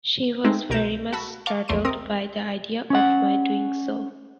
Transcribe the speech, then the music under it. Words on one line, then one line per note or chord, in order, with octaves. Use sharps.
She was very much startled by the idea of my doing so.
G#3 A3 C4 D#4
C2 B2 A#4 G6 E7
F#4 A5 B5 E6
F5 A5 C#6 D6
A#1 E2 A3 C6 D7 D#7
C3 C4 A#4 D#6
C#4 F#5